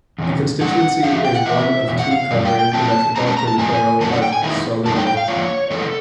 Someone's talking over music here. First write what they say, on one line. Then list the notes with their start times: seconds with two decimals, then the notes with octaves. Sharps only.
The constituency is one of two covering the Metropolitan Borough of Solihull.
0.18 E2 C3 C#4
0.61 A2 E3 G3 F#5
1.03 G#2 F3 F5
1.14 E5
1.25 G5
1.35 F#5
1.46 C3 E3 E5
1.88 E2 B2
1.99 F#5
2.11 F5
2.31 F#2 D3 G3
2.45 G5
2.59 G5
2.73 A2 F#3 A3 C4 A5
3.16 C3 F3 G#3 C#4 A#5
3.27 A5
3.37 A#5
3.47 A5
3.58 C3 F3 G#3 B3 G#5
4.00 F#2 D3 F#3 A#3 C#4 A5
4.11 F#5
4.22 G5
4.32 G#5
4.42 D#3 G#3 B3 E4
4.85 F#2 D3 G3 B3 D#4 A5
4.96 G5
5.07 G5
5.17 F5
5.28 G#2 F3 A#3 D4 F4 C#5
5.70 C3 E3 G#3 B3 A4